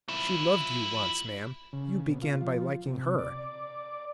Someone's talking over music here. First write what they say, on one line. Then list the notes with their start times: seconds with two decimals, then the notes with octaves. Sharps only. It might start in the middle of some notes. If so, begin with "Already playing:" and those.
She loved you once, ma'am; you began by liking her.
0.08 F3 E4
1.73 C#3
2.08 B2
2.23 F4
2.41 F3
2.86 C3
3.18 D5